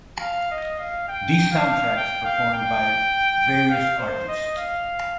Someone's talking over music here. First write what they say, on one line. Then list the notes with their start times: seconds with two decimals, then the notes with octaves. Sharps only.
These soundtracks performed by various artists.
0.21 F5
0.51 D#5
0.79 F5
1.08 G5
1.52 F5
1.96 G5
2.25 F5
2.53 G5
3.70 F5
3.99 C5
4.28 D#5
4.57 F5